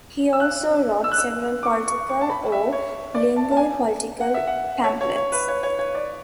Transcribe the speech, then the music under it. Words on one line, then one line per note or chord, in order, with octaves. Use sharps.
He also wrote several political or linguo-political pamphlets.
E6
F#6
E6
F#6
E6
D6
C#6
C#6
C#6
A5
B5
E5
C#5
D5
A5
A5
G#5
F#5
E5
F#5
C#5
C#5
C#5
B4
C#5
C#5
C#5
D5